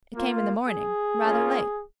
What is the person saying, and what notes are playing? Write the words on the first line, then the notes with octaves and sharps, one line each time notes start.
It came in the morning, rather late.'
A#3 F4
G#4
A#3 C#4 F4